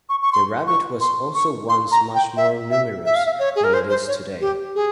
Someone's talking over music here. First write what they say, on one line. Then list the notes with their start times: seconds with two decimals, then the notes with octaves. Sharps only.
The rabbit was also once much more numerous than it is today.
0.09 C#6
0.22 C#6
0.33 C6
0.67 C#6
1.01 C6
1.35 C#6
1.69 C6
1.92 A#5
2.15 G5
2.37 E5
2.71 E5
3.05 E5
3.16 F5
3.26 E5
3.39 C#5
3.56 G#4
3.64 A#4
3.74 C5
3.90 C5
4.08 C#5
4.41 G4
4.75 G#4